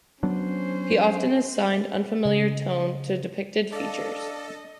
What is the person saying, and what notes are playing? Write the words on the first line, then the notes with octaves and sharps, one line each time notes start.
He often assigned unfamiliar tone to depicted features.
F#3 B3 C#4 D4 C5
C#3 D#5
D4 A4 D5 D#5 F5